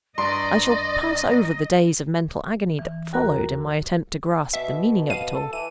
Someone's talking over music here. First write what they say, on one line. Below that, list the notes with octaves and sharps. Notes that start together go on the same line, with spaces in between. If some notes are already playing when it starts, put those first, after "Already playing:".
I shall pass over the days of mental agony that followed in my attempt to grasp the meaning of it all.
G2 D5 D#5 A#5 C6 D7
E3
D#2 F#4 A#4 A#5 F#6
B2 E5
F5 D#7
A4
E3 D#7